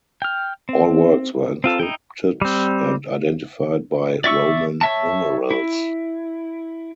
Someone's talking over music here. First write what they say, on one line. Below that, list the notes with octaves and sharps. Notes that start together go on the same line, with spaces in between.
All works were encrypted and identified by Roman numerals.
G5 F6
C4
C4 F4 A4
D#4 E4 G5
G3 C4
D5 E5 C#6 E6
C#5 E5 A5
E4